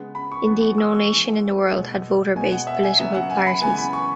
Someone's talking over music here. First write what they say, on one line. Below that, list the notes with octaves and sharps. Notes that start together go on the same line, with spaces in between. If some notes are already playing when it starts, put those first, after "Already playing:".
Indeed, no nation in the world had voter-based political parties.
Already playing: C#3 G#3 B3
B5
C#6
E3 B3
C#6
E6
C#6
E3 G#3 B3
B2 G#3 B3
B2 G#3 B3 G#5
F#5
E5
G#5
C#3 F#3 B3 E5
F#5
G#5
B5
C#3 E3 G#3 B3 G#5
B5
C#6